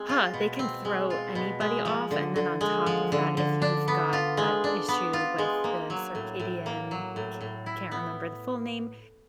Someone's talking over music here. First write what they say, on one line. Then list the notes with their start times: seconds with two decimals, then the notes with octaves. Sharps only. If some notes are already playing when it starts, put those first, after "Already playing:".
huh, they can throw anybody off, and then on top of that, if you've got that issue with the Circadian I ca I can't remember the full name,
Already playing: G#3 C4
0.09 F4
0.34 B2
0.59 C4
0.85 G#3
1.10 F4
1.35 B2
1.60 G#3
1.85 F3
2.11 D3
2.36 D3
2.61 G#3
2.86 F3
3.12 D3
3.37 D3
3.62 D4
3.88 B3
4.13 F4
4.37 G#3
4.64 D4
4.88 B3
5.13 F4
5.38 G#3
5.64 A#3
5.90 F#3
6.15 A2
6.40 A2
6.66 A#3
6.91 F#3
7.16 A2
7.41 A2
7.66 E4
7.91 B3